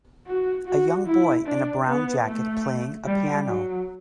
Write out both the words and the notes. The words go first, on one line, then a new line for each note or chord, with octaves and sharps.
A young boy in a brown jacket playing a piano.
F#4
F#4
E4
D4
B3
A3
G3
F#3